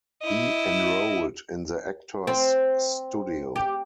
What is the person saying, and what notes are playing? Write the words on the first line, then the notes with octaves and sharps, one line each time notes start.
He enrolled in the Actors Studio.
E4 D#5
C4
G4